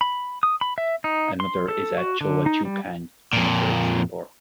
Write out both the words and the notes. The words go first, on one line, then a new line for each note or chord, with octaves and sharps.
Another is at Choa Chu Kang Cemetery, Singapore.
B5
D#6
B5
E5
D#4
C6
A4
F#4
D3
D#4
G3
F2 A#2